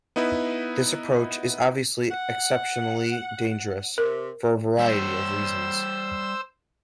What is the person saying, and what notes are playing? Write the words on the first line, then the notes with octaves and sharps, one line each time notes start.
This approach is obviously exceptionally dangerous for a variety of reasons.
B3 D#4 E4 B4
F#5
C3 A#4
G3 C5 C#5 E6